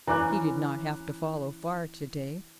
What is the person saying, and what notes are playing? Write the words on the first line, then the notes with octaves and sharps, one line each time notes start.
He did not have to follow far to-day.
E3 C#4 A#5 D6 F#6